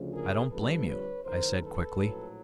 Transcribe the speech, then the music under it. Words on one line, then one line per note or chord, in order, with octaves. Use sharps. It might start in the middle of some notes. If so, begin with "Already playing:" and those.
"I don't blame you," I said quickly.
Already playing: D2 C#3 F3
G#4 A#4
F2 D3 G3 A4 B4
B4 C#5
F#1 F#2 D#3 A#4 C5
A4 B4
A#1 A2 F#3